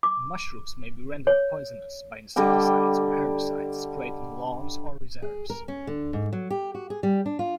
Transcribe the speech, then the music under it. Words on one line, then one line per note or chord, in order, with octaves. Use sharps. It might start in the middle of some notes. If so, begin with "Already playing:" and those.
Mushrooms may be rendered poisonous by insecticides or herbicides sprayed on lawns or reserves.
D6
C#5
D3 G3 D#5 G5
G#4
A#4
C#4
D3
G#2
F#3
G4
F#4
G#4
G3
D4
F4